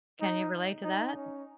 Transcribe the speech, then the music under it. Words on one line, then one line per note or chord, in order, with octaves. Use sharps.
Can you relate to that?
D#4
D#4
C#4